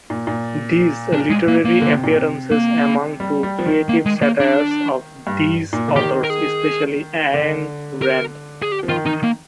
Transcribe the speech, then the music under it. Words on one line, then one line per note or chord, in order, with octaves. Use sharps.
These literary appearances amount to creative satires of these authors, especially Ayn Rand.
A#2
A#2
D4
G#3
A#3
A#3
D3
C3
A#2
C3
A#3
G3
G3
F3
D#3
A#3
G#3
A#3
D4
G2
A#2
D3
D#3 G4
A#4
G#4
D3
A#4
G#4
G4
F3
D#3 F4
D#3 D#4
A#3